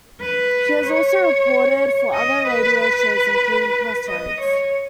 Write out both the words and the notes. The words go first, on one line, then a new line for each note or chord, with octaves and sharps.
She has also reported for other radio shows, including "Crossroads".
B4
C#5
D#5
B4
D#5
C#5